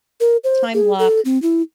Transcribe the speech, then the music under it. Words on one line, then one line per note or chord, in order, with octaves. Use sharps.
time block,
A#4
C5
G#4
A4
C4
E4